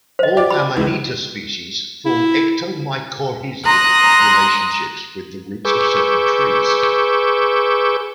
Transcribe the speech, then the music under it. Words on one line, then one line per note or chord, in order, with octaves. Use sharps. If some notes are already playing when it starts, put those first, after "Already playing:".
All "Amanita" species form ectomycorrhizal relationships with the roots of certain trees.
C5 D#5
G4 D5
B5
C#2 E3
E4
A#5 C6 D#6 F#6
G#4 B4 C#6 D6 E6 G6